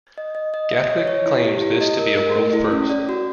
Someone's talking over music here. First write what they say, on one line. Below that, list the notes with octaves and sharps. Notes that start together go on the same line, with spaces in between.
Gatwick claims this to be a world-first.
D#5
D#5
D#5
E5
C#5
C#5
E4
G4
E4
D#5
A#4
A#4
A3
E4
C#4
D5
F#4